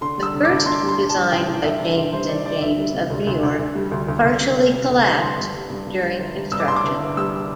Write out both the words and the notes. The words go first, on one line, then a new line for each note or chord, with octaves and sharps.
The first design by James and James of New York partially collapsed during construction.
D3 C6
G3 E6
D3
G2 D6
G2 C6
G3
C6
G3
A5
G3
A1 G5
A1
G2 E5
D3
A1
G3 C5
D3 D5
G3 D5
D2 E5
G3
C3
D2
D2
D2
D2
G3
D2
D2
D2
C3
D2
C3
D2
G3
G1 C6
G2
G3
G2
G2
G3
G1
G3
G2 E6
D6
G2 C6
D6
G1
G1
G3 E6